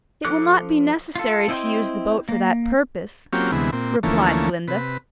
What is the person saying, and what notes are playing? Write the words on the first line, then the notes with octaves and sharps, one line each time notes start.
"It will not be necessary to use the boat for that purpose," replied Glinda.
F3 A4 D6 F#6
F4 A4
C4 E4 D#5 G5 C6
A#3
F#3 A#3 C4 C#4 F4 G4
D2 C3 E3 G#3 B3
A#2 C4
D2 E3 F3 A3 A#3 C#4
C3 B4